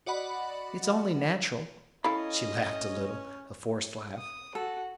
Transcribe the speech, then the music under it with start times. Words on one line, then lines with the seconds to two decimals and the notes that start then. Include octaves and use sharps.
"It's only natural." She laughed a little--a forced laugh.
0.06 F#4 D5 D#5 F#5 B5
2.04 C#4 E4 A4 D#5 F5 B5
4.19 D#6
4.55 F#4 A4